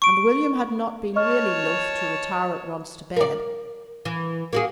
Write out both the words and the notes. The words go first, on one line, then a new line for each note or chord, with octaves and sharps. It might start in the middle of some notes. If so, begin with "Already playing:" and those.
And William had not been really loth to retire at once to bed.
C#6 D7
C#5 D#5 A5 C#6 F6
A#4 D5
E3
A#3 F#4 G#4